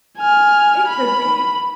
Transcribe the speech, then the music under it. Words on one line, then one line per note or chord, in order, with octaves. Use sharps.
It could be.
G#5 F6
B5